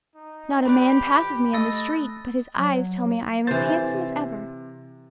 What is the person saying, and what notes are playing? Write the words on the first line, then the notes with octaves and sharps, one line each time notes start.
Not a man passes me in the street but his eyes tell me I am as handsome as ever.
D#4
G4 B4 C5 D5 B5 F#6
F2
A3 D#5 E6 A6 A#6
F#3
C3 E3 C5 A6